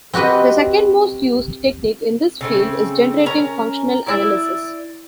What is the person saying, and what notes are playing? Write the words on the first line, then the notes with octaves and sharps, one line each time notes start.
The second most used technique in this field is generating functional analysis.
C4 F#4 G4 B4 D#5
C#3 A3 C4
C#4 A#4 A#5
E4 D5 E5